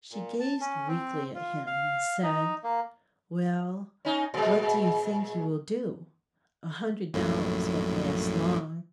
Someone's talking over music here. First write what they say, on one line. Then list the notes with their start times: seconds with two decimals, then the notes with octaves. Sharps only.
She gazed weakly at him and said: "Well, what do you think you will do? A hundred dollars won't last long."
0.12 A#2
0.40 A5
0.61 C#4
0.88 C4
1.35 F4
1.67 F5
2.23 D#4
2.64 A#3
4.05 C#4 D#4
4.34 A#2 G#3
7.14 A#1 F#2 A2